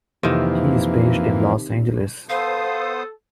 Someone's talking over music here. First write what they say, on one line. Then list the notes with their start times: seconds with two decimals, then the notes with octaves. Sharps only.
He is based in Los Angeles.
0.23 F2 C3 D#3 E3 A#3
2.29 B3 A4 C5 F5 D#6